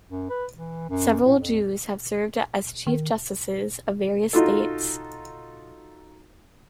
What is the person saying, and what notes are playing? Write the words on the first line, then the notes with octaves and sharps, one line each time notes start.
Several Jews have served as Chief Justices of various states.
F#2
B4
E3
F#2
A2
F2
D#3
D#4 F4 F#4 A4